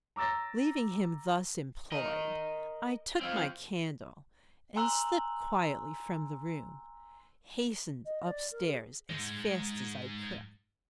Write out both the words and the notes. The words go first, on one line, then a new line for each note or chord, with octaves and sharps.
Leaving him thus employed, I took my candle, and, slipping quietly from the room, hastened up-stairs as fast as I could.
A#5 D6 E6 A6 A#6
A#4 D#5
C4 F4
G#5 A#5 C6 E6 F#6 F#7
D#5
D5
A#4
G#4
G#2 G#3